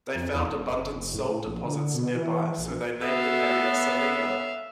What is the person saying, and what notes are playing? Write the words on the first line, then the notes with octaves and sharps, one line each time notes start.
They found abundant salt deposits nearby so they named the area "Salina".
F2
E2
E1
F#1
F#1
A2
A#1
D3
B2
E3
A#1
B3 F#4 A4 E5 F5
C#5